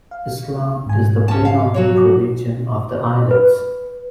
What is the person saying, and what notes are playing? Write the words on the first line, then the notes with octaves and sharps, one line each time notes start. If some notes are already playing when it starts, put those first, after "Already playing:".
Islam is the predominant religion of the islands.
F5
G#2 G#5
C#4 A5
F5
F#3 F#4 C#5
B4